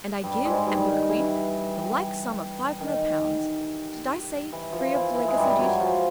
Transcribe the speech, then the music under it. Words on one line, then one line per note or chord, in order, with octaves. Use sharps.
And I give and bequeath the like sum of Five Hundred Pounds--did I say, free of legacy duty?
G2 G3
G#2 G#3
G2 G3
D#3
E3
D#3
E3
F3
E3
E3
G#3
G2 G3
F#2 F#3
F3